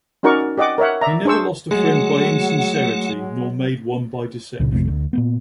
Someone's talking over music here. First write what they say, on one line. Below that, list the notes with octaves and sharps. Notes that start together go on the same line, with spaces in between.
He never lost a friend by insincerity nor made one by deception.
C#4 D#4 F#4 A#4 D5 C#6
G4 D5 D#5 F#5 D6
A#4 C#5 E5 F#5
D5 E5 A#5
D4 G#4 C5 C#6 E6
F#3 G#3 A3 F#5
C#2 A#2 C#3
A#1 F2 C3 A3
D2
A#2 A#3 B3